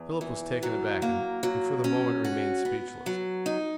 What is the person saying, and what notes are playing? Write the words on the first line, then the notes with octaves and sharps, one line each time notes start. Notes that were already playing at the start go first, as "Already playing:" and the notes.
Philip was taken aback and for the moment remained speechless.
Already playing: E2
E3
F#3
A#3
F#3
C#4
F#4
B3
F#3
D#4